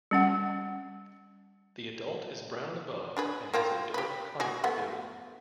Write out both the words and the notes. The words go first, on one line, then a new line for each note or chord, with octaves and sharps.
The adult is brown above and has a dark conical bill.
G3 C#4 F#5
D4 G#4 B4
A#3 C4 F4
G4 B4
G#3 F#4 G#4
A3 B3 F#5